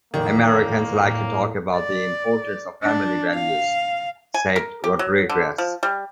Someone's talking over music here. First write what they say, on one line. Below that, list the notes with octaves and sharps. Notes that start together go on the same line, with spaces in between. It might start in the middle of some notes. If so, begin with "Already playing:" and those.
"Americans like to talk about the importance of family values," said Rodriguez.
F1 E2 A2 D#3 A#3
A2 A#3
D5
D4
F5
G#5
A#4
G4
F#3
D3
F3
G3